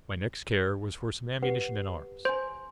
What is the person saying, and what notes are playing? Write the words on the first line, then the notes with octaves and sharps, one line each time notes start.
My next care was for some ammunition and arms.
G4 B4 F#5
C5 G#5 C6